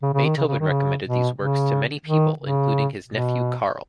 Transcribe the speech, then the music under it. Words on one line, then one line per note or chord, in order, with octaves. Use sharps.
Beethoven recommended these works to many people including his nephew Karl.
C#3
C#3
D#3
C#3
C#3
D#3
C#3
B2
C#3
D#3
C#3
B2